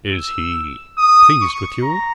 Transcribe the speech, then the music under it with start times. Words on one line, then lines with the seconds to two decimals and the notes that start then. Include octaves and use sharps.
"Is he pleased with you?"
0.12 E6
0.98 D#6
1.41 C#6
1.83 A#5